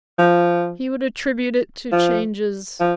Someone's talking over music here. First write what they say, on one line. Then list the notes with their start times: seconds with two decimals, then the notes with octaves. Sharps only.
"He would attribute it to changes . . ."
0.18 F3
1.92 F3
2.80 F3